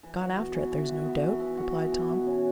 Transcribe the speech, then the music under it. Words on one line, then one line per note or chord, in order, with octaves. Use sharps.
"Gone after it, there's no doubt," replied Tom.
E3
F#4
B3
E3
E3
F#4
B3
E3
E3
F#4
B3
E3
B2
C#4